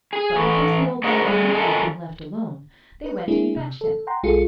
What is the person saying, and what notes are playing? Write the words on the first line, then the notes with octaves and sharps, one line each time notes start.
But because the old man did not like being left alone, they went and fetched him.
G#4
E3 A3
G#4 A#4 C5 C#5 D#5 F#5
G3 G#4
F2 D#3 D#4 F4 A4 G#5
B4
G#3 A#3 C4 D4 E4 G#4
C3
A4
F#5 G5 A#5 C6
B1 G#3 F4 G#4 A4 C#7